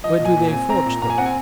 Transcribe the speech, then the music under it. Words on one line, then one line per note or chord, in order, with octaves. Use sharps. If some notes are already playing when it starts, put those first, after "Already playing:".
Where do they forge them?
F3 D#5
A#2
G#5
A#2
C4 G#5
C4 A#5
A#2
A#2 A#5
G#5
C4 F#5
G#5